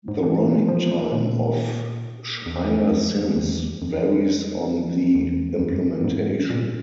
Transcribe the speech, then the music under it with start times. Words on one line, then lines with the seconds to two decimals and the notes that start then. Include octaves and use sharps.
The running time of Schreier-Sims varies on the implementation.
0.08 G#2
0.23 E3
0.68 F3
1.12 A#2
2.46 E2
2.92 F2
3.36 E2
3.82 F2
5.15 E2
5.60 F2
5.71 G2
5.83 F2
6.04 G#2
6.50 A#2